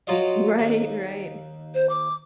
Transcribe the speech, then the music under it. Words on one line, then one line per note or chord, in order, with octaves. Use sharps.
Right, right.
F#3 F4 D#5
D#2
C5
D6